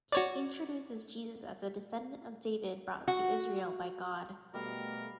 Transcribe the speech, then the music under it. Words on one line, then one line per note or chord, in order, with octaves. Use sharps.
He introduces Jesus as a descendant of David brought to Israel by God.
F#4 C#5 D5
F#4
B2 G3 A3 A#4 F5